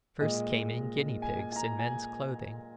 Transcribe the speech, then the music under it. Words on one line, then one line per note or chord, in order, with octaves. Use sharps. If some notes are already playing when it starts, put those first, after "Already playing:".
First came in guinea pigs in men's clothing.
A#2 G#3 D#5
G#5
G#5
G#5
A#5
G#5